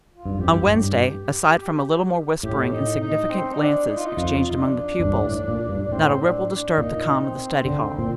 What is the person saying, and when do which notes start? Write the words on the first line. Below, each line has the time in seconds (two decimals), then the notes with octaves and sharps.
On Wednesday, aside from a little more whispering and significant glances exchanged among the pupils, not a ripple disturbed the calm of the study hall.
0.11 F4
0.26 G2
0.39 F2 G4
0.53 G2
0.63 A2
0.69 G2 G4
2.43 A2 G4
2.72 D#4
3.01 D#4
3.30 C4
3.54 D#4
3.59 D4
3.87 D#4
3.97 F4
4.06 D#4
4.17 F2 F4
4.50 D#4
4.60 D4
5.00 F2
5.04 G2
5.26 A2
5.48 A#2
5.69 G2
5.82 D4
5.91 A2 C4
6.19 D4
6.49 D4
6.78 A#2 D#4
7.21 C4
7.65 D3
7.99 A#2